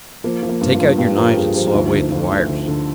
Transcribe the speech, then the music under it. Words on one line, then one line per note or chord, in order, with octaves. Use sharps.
Take out your knives and saw away at the wires.
F3 A#3
F3
A#3
G2
F4
G2
G2 G4
F3 A#4
G4
G2 G#4
F3 G4
D2 D#4
D3 D#4
D3 F4
D2 D#4
D3
D3